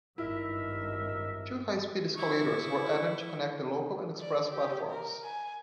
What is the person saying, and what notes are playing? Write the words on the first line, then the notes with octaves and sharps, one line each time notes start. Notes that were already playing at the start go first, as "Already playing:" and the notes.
Two high speed escalators were added to connect the local and express platforms.
G#1 G2 D#4 E4 A#4 E5
E4 C#6
D5
G4
A#4
G#5